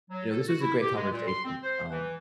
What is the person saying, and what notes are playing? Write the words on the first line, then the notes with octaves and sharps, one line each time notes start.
you know, this was a great conversation, um,
F#3
A4
F#4
E4
G4
G#3
A#2
C6
C4
C5
E3